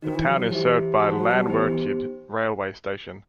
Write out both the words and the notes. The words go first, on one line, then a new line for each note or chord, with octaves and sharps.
The town is served by Llanwrtyd railway station.
D#3 D#4 F#4 C5
E3
F#3
F#3
E3 G4 C5 E5
E3 F#4 C5 F#5 A5
F#3
G3
E3 B3 D#4 G4 C5
E3